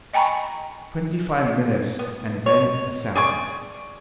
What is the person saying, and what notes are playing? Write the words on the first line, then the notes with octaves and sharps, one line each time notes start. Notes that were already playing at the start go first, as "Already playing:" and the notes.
Twenty-five minutes, and then a sound.
D#5 G5 G#5 A#5 B5 C#6
B3
C#5
G#4 D5 G#5 C#6